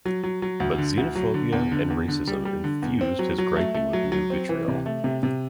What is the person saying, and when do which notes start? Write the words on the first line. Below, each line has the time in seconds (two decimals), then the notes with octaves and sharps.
But xenophobia and racism infused his griping with new vitriol.
0.05 F#3
0.23 F#3
0.42 F#3
0.60 D2
0.78 D3
0.97 D2
1.15 F#3
1.34 D3
1.52 E2
1.72 D3
1.90 E2
2.08 D3
2.27 G3
2.45 G3
2.64 D3
2.82 E2
3.01 C4
3.19 F#3
3.38 F#3
3.56 A3
3.74 A3
3.93 F#3
4.12 F#3
4.30 C4
4.49 E3
4.68 C3
4.86 A3
5.04 C3
5.23 C3